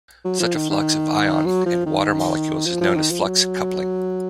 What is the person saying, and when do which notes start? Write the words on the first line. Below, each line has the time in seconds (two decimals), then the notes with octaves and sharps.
Such a flux of ion and water molecules is known as flux coupling.
0.25 F#3
0.40 F3
0.55 D#3
0.70 D#3
1.45 F#3
1.66 F3
1.86 D#3
2.66 F3
2.81 F3
2.96 D#3
3.11 F3
3.27 F#3